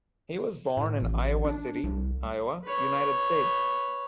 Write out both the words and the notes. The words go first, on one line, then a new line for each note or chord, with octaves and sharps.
He was born in Iowa City, Iowa, United States.
A2
A1
D4
C2
B4 C#5